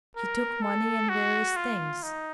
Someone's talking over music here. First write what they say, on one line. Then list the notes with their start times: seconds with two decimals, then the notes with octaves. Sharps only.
He took money and various things....
0.16 A#4
0.62 A4
1.09 F#4
1.56 F4
2.03 D#4